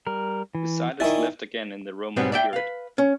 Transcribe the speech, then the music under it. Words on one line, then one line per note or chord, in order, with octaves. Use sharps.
The site is left again in the Roman period.
G3 A#4
E3
D#3 E4 D5 G#5 C#6
G#2 B2 F#3 G3 B3 C4
D5 E5 G5
B4 F5
C#4